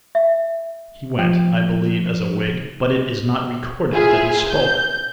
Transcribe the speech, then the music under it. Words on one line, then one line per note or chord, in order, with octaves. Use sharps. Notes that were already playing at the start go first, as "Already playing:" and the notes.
He went, I believe, as a Whig, but it is not recorded that he spoke.
E5
F3 G5
E4 F4 G#4 E5 G#5
G6